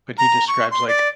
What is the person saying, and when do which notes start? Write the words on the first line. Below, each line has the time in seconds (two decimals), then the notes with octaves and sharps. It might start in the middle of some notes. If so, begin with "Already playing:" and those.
When he describes, like,
0.18 A#5
0.48 C#6
0.71 C6
0.88 D5